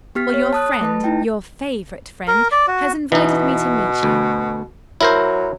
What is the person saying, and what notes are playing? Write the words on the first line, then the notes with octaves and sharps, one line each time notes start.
Well, your friend, your favorite friend, has invited me to meet you.
B3 G4 F6 B6
C#5
A5 D#6 F#6
A3 B4 A5
D#4 E4 G5
A#4
D5
F#4
B2 E3 D#4
D2
F#3 E4 A#4 C5